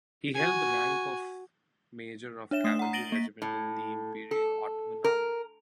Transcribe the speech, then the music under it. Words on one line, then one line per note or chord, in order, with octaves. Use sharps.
He held the rank of major of cavalry regiment in the imperial Ottoman army.
F#4 G#5
D4 C#5 E5 E7
A3 D#6 C7
F#5 A#5
A6 A#6 D7 D#7 F#7 G7
A#3 B6
A2
A4
A#4